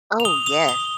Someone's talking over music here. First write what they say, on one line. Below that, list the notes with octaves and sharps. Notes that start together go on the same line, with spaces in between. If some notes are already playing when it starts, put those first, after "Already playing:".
Oh, yes.
F7
D#6 G7
D#6 F7
D#6 G7